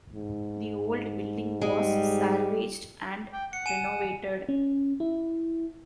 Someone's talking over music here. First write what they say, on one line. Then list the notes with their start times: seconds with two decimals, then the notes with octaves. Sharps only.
The old building was salvaged and renovated.
0.15 G#2
1.61 G3 G#3
3.33 G5
3.53 F#5 C#7
3.66 G#5 D#7 E7
4.49 C#4
5.00 E4